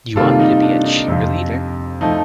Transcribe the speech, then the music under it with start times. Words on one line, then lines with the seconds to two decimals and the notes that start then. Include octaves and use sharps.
You want me to be a cheerleader?
0.16 C3 D#3 G3 A#3 F4 A4
0.30 F4
0.39 D#4
0.62 D4
0.85 D#4
1.08 F2 C3 F3
2.01 F3 A3 D#4